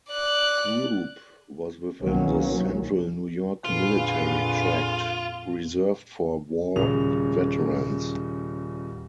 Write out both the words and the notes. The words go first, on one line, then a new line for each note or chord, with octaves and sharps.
Throop was within the Central New York Military Tract, reserved for war veterans.
D5 F#6
C2 B2 D#3 F#3 A#3 C#4
F2 A#2 D3 F4 G#4 B4
D#1 C#3 F7